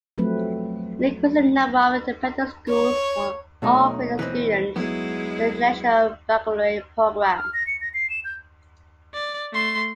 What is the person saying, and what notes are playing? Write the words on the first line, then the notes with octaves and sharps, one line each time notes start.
An increasing number of independent schools are offering their students the International Baccalaureate Programme.
F3 F#3 A3 C4 B4
C#5
B2 F#3 A3 D#4
E3 C4 B4 D#5
F#3 G#3 B3 E4
D#6
F6
A#6
C#7
A#6
C7
E7
G6
D5
A3 C6